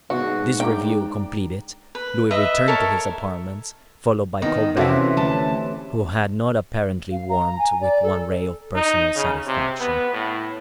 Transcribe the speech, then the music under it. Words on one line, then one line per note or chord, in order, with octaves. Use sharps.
This review completed, Louis returned to his apartments, followed by Colbert, who had not apparently warmed with one ray of personal satisfaction.
G#2 B2 G#3 F#4
D4 G5 A#5 D6
B4
B4 D#5 E5
A4 A#4 C#5
D#3 B3 D#4
C3 E3 C#4 F#4 A4 F5
D2 A5
F5
A#5
G#5
D5
A4
D#4
C#3
C3
B3
A2